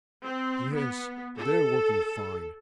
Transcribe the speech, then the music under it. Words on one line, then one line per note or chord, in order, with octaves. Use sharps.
Yes, they're working fine.
C4
B3
A4